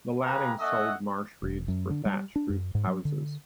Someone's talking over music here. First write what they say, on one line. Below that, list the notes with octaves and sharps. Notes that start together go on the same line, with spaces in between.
The Lattings sold marsh reeds for thatched-roof houses.
G4 G#4 B4 F5 A#5
A3 C#4 D#5 E5 F#5
E1
F#2
D3
G3
D4
F#2
G#2
F#3
D3